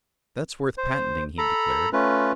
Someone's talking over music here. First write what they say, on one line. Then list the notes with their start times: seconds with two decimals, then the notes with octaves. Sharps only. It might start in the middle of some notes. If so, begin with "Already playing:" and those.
"That's worth patenting," he declared.
0.78 C5
1.38 A4 A#5 B5
1.93 A3 C#4 F4 B4